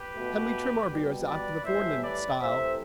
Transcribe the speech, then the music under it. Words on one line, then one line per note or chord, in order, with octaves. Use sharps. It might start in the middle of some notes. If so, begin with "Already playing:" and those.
Can we trim our beards after the foreign style?
Already playing: G4 B4
B2 A3
B2 G3
B4 D5
A2 E3 G3 C5 E5
B4 D5
C3 E3 A3 C5 E5